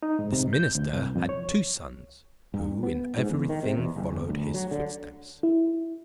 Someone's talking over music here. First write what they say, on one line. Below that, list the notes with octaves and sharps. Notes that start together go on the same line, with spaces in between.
This minister had two sons, who in every thing followed his footsteps.
D#4
G#2
C3
G6
D2
C2
F2
C#5
G2
B3
G#2
E2
D#3
C3
E2
F#1
G1
D2
F#3
D3
E4